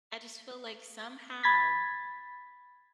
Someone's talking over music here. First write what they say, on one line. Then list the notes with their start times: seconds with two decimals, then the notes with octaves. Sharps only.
I just feel like somehow,
1.43 B5 G#6 A6 B6